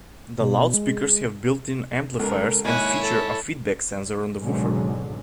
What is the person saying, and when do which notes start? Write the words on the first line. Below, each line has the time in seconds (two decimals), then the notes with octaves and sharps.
The loudspeakers have built-in amplifiers and feature a feedback sensor on the woofer.
0.41 B2
0.74 G#3
2.19 C#2 A4 A#4
2.65 G#1 A#3 E4 C#5 F#5 G#5
3.01 A4
4.39 G#1 C#2 B2 D3 F#3 G#3